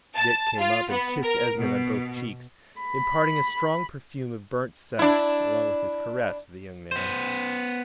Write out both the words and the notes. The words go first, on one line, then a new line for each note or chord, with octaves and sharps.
Dick came up and kissed Esmond on both cheeks, imparting a strong perfume of burnt sack along with his caress to the young man.
A5
F4
B3
A#4
B2
B5
D4 E4
B3 C5